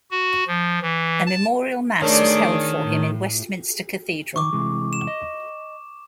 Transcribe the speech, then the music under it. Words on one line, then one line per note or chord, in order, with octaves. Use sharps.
A memorial mass was held for him in Westminster Cathedral.
F#4
F3
E3
A5
D#3 A3 D4 G#4 A#4 C#5 D5
A2
D#3 C#6 D6
C3 E3 G#3
E7
D#5